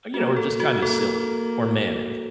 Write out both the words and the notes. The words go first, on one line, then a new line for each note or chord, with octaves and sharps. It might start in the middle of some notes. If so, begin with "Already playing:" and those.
eh, you know, are just kinda silly or manic.
A#3 F#4
A4
F#4
A#3 A4